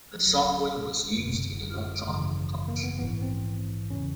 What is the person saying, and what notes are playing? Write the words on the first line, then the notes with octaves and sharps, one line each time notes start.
The software was used in electronic publishing.
F3
D2 D3 F#3
G#1 F#2 D3
G3
G#1 F#2 C#3 E3
A#3
B3
A#1 G#2 E3 B3
C4
E2 C#3 E3 C#4